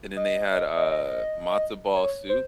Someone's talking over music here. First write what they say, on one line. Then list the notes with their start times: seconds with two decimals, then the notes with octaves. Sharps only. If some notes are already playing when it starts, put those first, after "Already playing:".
And then they had, uh, matzo ball soup.
0.16 D#5
0.76 D#5
0.91 D#5
1.96 C#5
2.29 C5